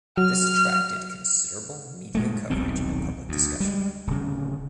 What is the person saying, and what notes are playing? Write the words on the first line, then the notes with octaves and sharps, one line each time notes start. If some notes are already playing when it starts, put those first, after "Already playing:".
This attracted considerable media coverage and public discussion.
F#3 F6
A#2 G#3 A3
D#1 B1 D#3 C4
D2
G3 G#3
D1 C#3